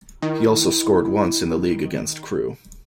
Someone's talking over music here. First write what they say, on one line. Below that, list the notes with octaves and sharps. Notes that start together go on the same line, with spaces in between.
He also scored once in the league against Crewe.
D#3 E4